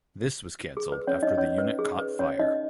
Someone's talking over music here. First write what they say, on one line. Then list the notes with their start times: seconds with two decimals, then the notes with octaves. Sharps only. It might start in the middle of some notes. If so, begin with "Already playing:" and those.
This was cancelled after the unit caught fire.
0.77 G#4
0.92 B4
1.07 C#4 C#5
1.23 D#4 D#5
1.38 C#4 C#5
1.58 B4
1.79 G#4
1.99 B4
2.19 C#4 C#5
2.39 D#4 D#5